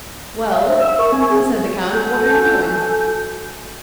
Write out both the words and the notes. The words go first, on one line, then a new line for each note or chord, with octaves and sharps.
"Well," said the count, "what are you doing?"
E5 F5
C5 E5
E6
A#4 C#6
C4 G#5
G#4
F#4 A4 G#5 G6